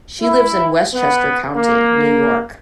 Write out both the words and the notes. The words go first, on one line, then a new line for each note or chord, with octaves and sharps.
She lives in Westchester County, New York.
E4
B3
A#3